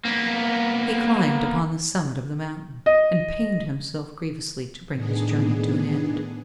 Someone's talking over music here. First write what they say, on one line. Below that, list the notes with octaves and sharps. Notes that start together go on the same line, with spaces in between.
He climbed upon the summit of the mountain, and pained himself grievously to bring his journey to an end.
A#3 B3
D#5
A2 D#3 B3 D4 G#4